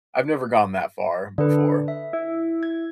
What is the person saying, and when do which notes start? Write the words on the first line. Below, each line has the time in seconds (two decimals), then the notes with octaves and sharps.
I've never gone that far before.
1.38 D3 D4 A4 B4
1.88 E5
2.13 E4
2.63 G#6